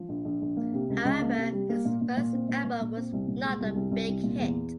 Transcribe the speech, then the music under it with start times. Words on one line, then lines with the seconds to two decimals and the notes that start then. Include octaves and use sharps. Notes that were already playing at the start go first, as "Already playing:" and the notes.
However, his first album was not a big hit.
Already playing: F3
0.09 A#1
0.25 A#1
0.42 A#1
0.57 A#3
0.73 C3
0.90 C#2
1.05 C#2
1.21 A#3
1.37 C3
1.52 G3
1.69 A#3
1.85 A#2
2.01 A#2
2.17 A#2
2.33 C4
2.49 A#2
2.65 A#2
2.81 A#2
2.96 C4
3.13 C2
3.27 A#2
3.44 G#3
3.60 C2
3.76 C2
3.91 C2
4.08 C2
4.23 A#2
4.39 E2